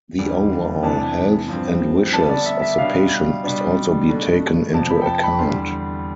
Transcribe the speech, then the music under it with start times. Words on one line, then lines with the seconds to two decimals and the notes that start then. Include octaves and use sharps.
The overall health and wishes of the patient must also be taken into account.
0.19 E2 D3 G3
0.83 C3 E3 B3 D4 A5
1.48 G2 F3 C4
2.13 D3 G3 B3 D4 A5
2.29 D5
2.46 E5
2.62 E5
2.78 B2 G3 D4 F5
3.44 B2 G3 D4
4.09 B2 A3 D4
4.73 F2 C3 F3 A5
4.90 B5
5.02 G5
5.06 A5
5.23 B5
5.39 E2 D3 G3 C6